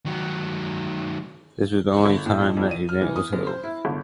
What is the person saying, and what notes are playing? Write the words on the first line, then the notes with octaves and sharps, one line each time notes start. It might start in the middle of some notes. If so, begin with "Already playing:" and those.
This was the only time that event was held.
D#3 F#3
G1
A2
F2
F2
D#7
F6
E3
D#6
F#2
C5
E4
G1